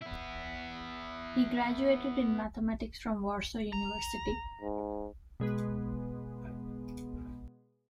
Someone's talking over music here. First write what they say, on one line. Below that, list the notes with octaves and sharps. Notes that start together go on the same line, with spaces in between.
He graduated in mathematics from Warsaw University.
B3 E4
A#5
G#2
B2 G#3 B3